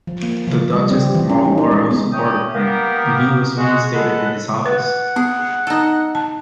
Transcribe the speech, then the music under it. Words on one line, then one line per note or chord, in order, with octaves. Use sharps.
The Duchess of Marlborough supported him, and he was reinstated in his office.
F3
A#3
F3
G3
C4
G4
E3
C#4
D#4
D#4
G#3
B3
A3 C#4 G5 D#6
A#3 B3 G4 A#4
G#3 F#4
G#3 A4 B4 F#5
B4 F#5
B3 G#4
D#4 A4
A5